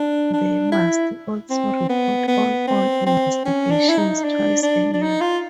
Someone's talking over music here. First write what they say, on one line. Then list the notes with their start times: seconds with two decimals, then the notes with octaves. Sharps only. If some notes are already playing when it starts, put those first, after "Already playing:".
They must also report on all investigations twice a year.
Already playing: D4
0.33 D4
0.72 E4
1.50 C4
1.89 B3
2.28 B3
2.67 C4
3.06 C4
3.46 C#4
3.71 D4
3.89 E4
3.98 D#4
4.24 D4
4.63 D4
4.94 D4
5.02 D#4
5.21 F4